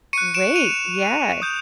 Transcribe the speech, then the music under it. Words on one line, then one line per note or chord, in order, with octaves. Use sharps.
Wait, yes.
C#6 F#6 C#7 D#7
D7 E7
D#7 F7
D#6 G6